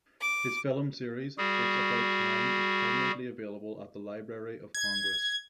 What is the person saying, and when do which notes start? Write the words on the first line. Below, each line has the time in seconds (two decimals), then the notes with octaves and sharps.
His filmed series, "It's About Time," is permanently available at the Library of Congress.
0.21 D6
1.38 G3 F#4 G#4
4.74 G#6